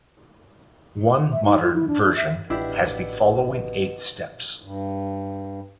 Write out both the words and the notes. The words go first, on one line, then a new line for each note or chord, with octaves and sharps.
One modern version has the following eight steps.
E5
D#4
F4
E4
D4
D4
E5
A1 B2 D4 E4 G4
G2